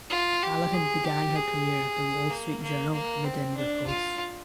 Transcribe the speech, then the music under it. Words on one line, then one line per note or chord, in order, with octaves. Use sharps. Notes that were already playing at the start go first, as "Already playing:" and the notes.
Callahan began her career at the Wall Street Journal and the Denver Post.
F4
G4
G#4
G4
G#4
A#3
A#3
A#3
C4
D4
F4